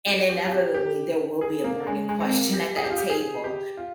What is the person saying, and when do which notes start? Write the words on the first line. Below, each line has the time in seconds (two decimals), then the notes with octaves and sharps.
and inevitably, there will be a burning question at that table.
0.07 G4
0.29 G4
0.45 F4
0.51 G4
0.74 G4
1.41 G#4
1.64 A#3
1.87 G#3
2.09 G#3
2.20 C4
2.31 A#3
2.53 G4
2.76 G#4
2.84 G4
2.90 F4
2.98 G4
3.10 G#4
3.44 G4
3.77 F4